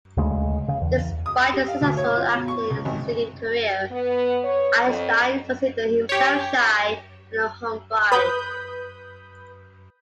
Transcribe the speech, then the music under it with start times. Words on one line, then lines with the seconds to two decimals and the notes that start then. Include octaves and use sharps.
Despite a successful acting and singing career, Einstein considered himself shy and a homebody.
0.17 D2 C#3 G#3
0.68 C#3
0.81 E2
1.26 D#6
1.39 E6
1.53 G4
1.68 F5
1.81 D2
1.97 C#5
2.17 F4
2.35 B2
2.48 C#6
2.70 C#2
2.85 G#1
3.91 B3
4.44 C#5
4.87 F2
6.09 G4 C#5
8.12 B4 B5 D#6 G6